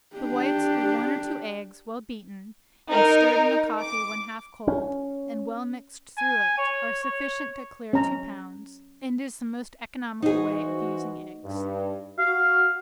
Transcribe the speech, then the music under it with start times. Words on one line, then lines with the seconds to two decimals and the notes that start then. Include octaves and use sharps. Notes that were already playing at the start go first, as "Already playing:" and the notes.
The whites of one or two eggs, well beaten, and stirred in the coffee when half cold, and well mixed through it, are sufficient to clear two pounds, and is the most economical way of using eggs.
0.16 D4 G4
2.89 D#4 A#4
3.81 D6
4.67 C#4
6.18 G#5
6.58 C#5
7.03 C#5
7.93 C#4 A#5
10.22 E3 D#4 F#4 G#4 C5
11.44 G2
12.18 F#4 F5